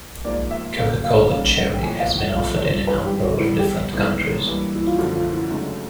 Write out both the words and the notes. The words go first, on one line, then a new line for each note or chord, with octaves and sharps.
Coca-Cola Cherry has been offered in a number of different countries.
G#2 F3 A#3 D5
E5
F#2 D3 F#3 A#3 F5
F5
D#3 G3 A#3 C#4 F5
F#5
G5
A2 F3 A#3 G#5
F5
F#5
E5
F2 C3 F3 A3 F5
C#5
C5
G#2 E3 G3 B4
G4
F#4
G2 D3 G3 B3 D4 E4
G4
A2 E3 G#3 B3 D#4
G2 E3 G3 A#3
E4
F4
F#2 D3 F3 A3 F#4
F4
E4
C#2 C#3 F#3 A3 D4 D#4